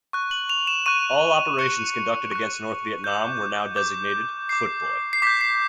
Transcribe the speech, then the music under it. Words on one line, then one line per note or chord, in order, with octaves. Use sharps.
All operations conducted against North Vietnam were now designated "Footboy".
C#6 F#6
F#7
F7
E7
C#6 F#6 D#7
C#6 F#6 C#7
C#6 F#6
D6 G6
D6 G6
D6 G6 C7
C7
D6 G6 B6
C7